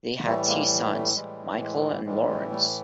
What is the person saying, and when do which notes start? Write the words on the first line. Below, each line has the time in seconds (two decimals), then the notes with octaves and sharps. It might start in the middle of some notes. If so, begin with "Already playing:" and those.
They had two sons, Michael and Lawrence.
0.25 A2 E3 G3 A3
0.47 G#3 A#3
0.93 G3 A3
1.16 A2 E3 G3 G#3
1.55 G3
1.61 G#3
2.05 A2 E3 G3 G#3
2.28 G#3
2.50 G3 A3